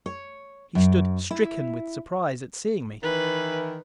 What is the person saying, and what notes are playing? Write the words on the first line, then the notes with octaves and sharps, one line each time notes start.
He stood stricken with surprise at seeing me.
C#5
F#2
E4
D#3 E3 B4